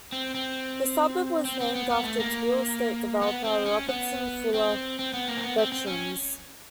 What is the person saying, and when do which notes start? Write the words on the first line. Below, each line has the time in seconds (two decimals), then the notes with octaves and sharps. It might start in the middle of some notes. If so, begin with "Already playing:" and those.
The suburb was named after its real estate developer Robertson Fuller Bertrams.
0.12 C4
0.35 C4
1.45 C4
1.61 C4
1.75 B3
1.90 B3
2.04 A3
2.20 A#3
3.22 B3
3.44 C4
3.66 C#4
3.89 B3
4.54 C4
4.99 C4
5.14 B3
5.28 A#3
5.37 C4
5.43 B3
5.58 C4
5.72 C4
5.87 C#4